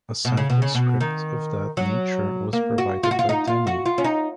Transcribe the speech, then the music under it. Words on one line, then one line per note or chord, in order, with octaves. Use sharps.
A sample script of that nature was provided by Denny.
B2
C#3
B2
C#3
B2
D#3
F#3
A#3
F#4
F4
F#4
F4
D#4
F4
F#4
F4
C#4
D#4